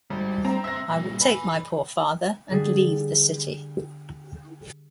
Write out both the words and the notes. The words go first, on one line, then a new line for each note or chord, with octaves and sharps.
I will take my poor father and leave the city.
G#1 G3
C4 A#5
C4 E5 E6 A#6
G2 A#2
B4 G#5 B5
D3 G3 G#4 A6